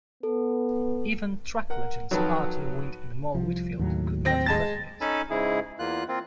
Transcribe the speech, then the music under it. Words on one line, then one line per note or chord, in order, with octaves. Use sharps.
Even track legends Arthur Wint and Mal Whitfield could not threaten it.
B3 A4
A#4 F#5
F2 D#3 F#3 F#4 B4 A5
C2 F3
D#2 A2 F#3
C4 G5 A#6
G#3 A5 A6
C#4 D#4 A4 G#5 A5 B5
G#2 C#3 G#3 E4 G#4
E2 A#3 F4 F#6
A#3 C4 F4